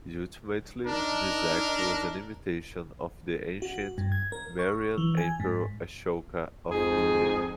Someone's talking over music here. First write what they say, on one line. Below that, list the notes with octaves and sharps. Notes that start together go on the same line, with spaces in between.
Ultimately, this act was an imitation of the ancient Mauryan Emperor Ashoka of India.
D4 D#4 A#4
F#4
G2
G#6
A#4
C#6
E3
G#5
G#2
F2 G#2 D#4 G#4